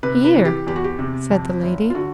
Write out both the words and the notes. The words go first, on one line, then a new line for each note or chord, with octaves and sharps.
"Here," said the lady.
C3 B4
B4
E3
G4
E2 G4
F#4
G4
C3
F2
F#1
F4
D3 F#4